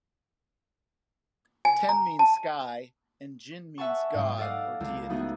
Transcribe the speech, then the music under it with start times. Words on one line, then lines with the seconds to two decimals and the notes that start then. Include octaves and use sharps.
Ten means sky and jin means god or deity.
1.65 G#5
1.89 A#5
2.19 A5
3.78 E5 F#5 G#5 A5 C#6
4.14 G#2 G#3
4.38 A4 D5 D#5 F5 F#5
4.80 C#2
5.09 A3 B3 D#4 F#4